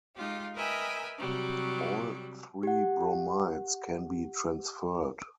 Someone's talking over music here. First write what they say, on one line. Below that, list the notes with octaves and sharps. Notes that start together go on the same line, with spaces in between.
All three bromides can be transferred.
G#3 D#4 F4 G4
A#4 B4 D#5 E5 G5 G#5
C3 F#3 G3
G4 F#5